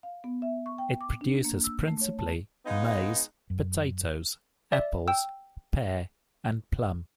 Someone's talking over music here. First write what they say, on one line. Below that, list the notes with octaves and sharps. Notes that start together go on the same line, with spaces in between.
It produces principally maize, potatoes, apples, pear and plum.
F5
B3
E5
C#6
G5
D6
D4
A#3
E6
A3
C#5
A5
G#3 B3 D#4 F5
F#2
D5 E5
G5 E6